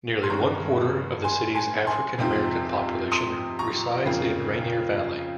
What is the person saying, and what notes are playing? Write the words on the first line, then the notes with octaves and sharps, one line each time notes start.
Nearly one quarter of the cities' African-American population resides in Rainier Valley.
C6
G2 D#3 G#3 C#4 A#5 C#6
G#5 C6
G#5 C6
G#5 C6
F2 C3 F3 C4 D#4
C6 D#6
A#5 C#6
F2 C#3 F3 A#3